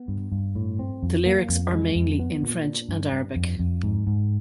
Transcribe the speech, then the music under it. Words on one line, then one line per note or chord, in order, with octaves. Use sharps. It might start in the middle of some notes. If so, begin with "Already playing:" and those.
The lyrics are mainly in French and Arabic.
Already playing: B3
G2
G2
A2
C4
F2
A#3
F2
G#3
F2
B3
A#2
D4
G2
G2
F2
F2
G#2
G#2